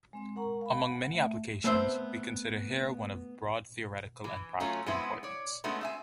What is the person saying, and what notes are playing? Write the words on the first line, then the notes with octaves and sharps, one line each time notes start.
Among many applications, we consider here one of broad theoretical and practical importance.
G#3 C4
G#3 A#4 F#5 A#5 C#6
F5 B5
F#5
A3 E5
A3 B3 C4 C5 E5
E3
F#3 A3 C#4 F4
G#3 B3 C4 E4
C#5 D5
G#3 A3 B3 C#4 D4 F#4
C4 E5 G#5